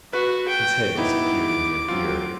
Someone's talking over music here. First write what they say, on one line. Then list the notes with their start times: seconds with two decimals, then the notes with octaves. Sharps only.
His head disappeared and reappeared.
0.13 F#4 B4
0.48 G5
0.97 B3 D#4 E4 D6
1.88 F#3 C4 F4